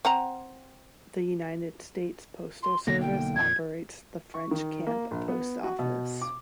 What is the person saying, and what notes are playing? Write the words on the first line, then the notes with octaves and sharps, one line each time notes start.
The United States Postal Service operates the French Camp Post Office.
C4 F#5 A#5
C6
B1 D3 A#3 A#6
G5
F2 A#2 G#6
C#6
D#3
A#3
A#1
B3
F#4
B2
D6